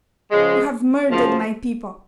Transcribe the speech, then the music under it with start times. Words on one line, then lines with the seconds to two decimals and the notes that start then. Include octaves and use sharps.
You have murdered my people!
0.31 C#3 F3 G#3
1.08 F#2 C#3 F3